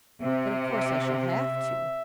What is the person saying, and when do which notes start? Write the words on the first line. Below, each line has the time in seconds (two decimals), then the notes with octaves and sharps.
But, of course, I shall have to.
0.22 C3 E5
0.75 E5
1.28 E5